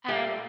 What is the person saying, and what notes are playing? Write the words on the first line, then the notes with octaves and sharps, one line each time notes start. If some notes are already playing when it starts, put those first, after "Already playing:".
And I
A#2 G3 A3